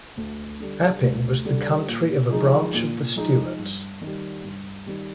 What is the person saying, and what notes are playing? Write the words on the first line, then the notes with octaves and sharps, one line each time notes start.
Appin was the country of a branch of the Stewarts.
D2
D3 G3
D2
D3 G3
A#2
F3 G#3 D#4 G#4
A#2
F3 G#3 D#4 G#4
G2
D#3 G3
G2
D#3 G3